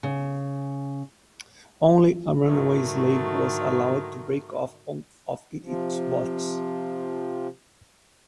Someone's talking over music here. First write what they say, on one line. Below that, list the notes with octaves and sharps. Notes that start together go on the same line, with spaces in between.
Only a runaway slave was allowed to break off on of its boughs.
C#3
G#2 D3 D#3 F#3 A3
C3 F3